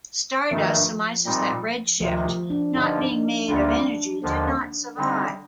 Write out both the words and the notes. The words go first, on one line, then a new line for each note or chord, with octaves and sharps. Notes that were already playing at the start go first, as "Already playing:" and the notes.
Stardust surmises that Red Shift, not being made of energy, did not survive.
G2 D#3 F3 A3
A#2 G3 C4 D#4
D2 C3 D#3 F3
F3
D4
G2 D3 F3 D#4
D4
D2 D3 G3 A#3 D4 F4
D#2 D3 F3
D3 G3 C4 D#4